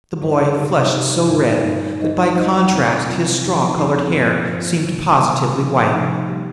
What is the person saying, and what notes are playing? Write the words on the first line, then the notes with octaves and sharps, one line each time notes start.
The boy flushed so red that by contrast his straw coloured hair seemed positively white.
G2 G3 D#4 C5 D#5
C3 G3 D#4 G4
C3 G3 D#4 G4
G2 G3 D#4 A#4
G2 G3 D#4 A#4
G3 D#4 C5 D#5
G3 D#4 C5 D#5
F2 C3 G3 C4 F4
F2 C3 G3 C4 F4
F2 F3 C4 D#4 G4
F2 F3 C4 D#4 G4
G2 F3 A#3 F4 C5
G2 F3 A#3 F4 C5
C3 D#3 G3 A#3
C3 D#3 G3 A#3
C3 F3 D#4
C3 F3 D#4
G3 A#3 G4